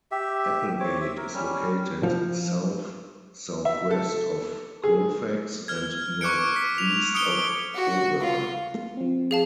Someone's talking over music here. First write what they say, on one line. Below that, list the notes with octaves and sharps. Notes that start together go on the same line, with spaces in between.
Applegate is located south-southwest of Colfax, and northeast of Auburn.
G4 E5
C4 C#5 D6
E5
A#4
G3 C#4
F3
E5
A4
G#4
F6 G#6
C#6 D6 F#6 C#7 D7
B6
F7
D#6 C#7 D7 G7
F#4
F4
F3 C4
G#4 F5 A5